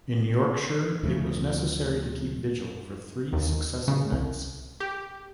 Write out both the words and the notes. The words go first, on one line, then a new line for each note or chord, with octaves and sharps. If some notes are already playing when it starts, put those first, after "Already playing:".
In Yorkshire it was necessary to keep vigil for three successive nights.
D2 C#3 F3 A3
D#2
C#3
C2
G4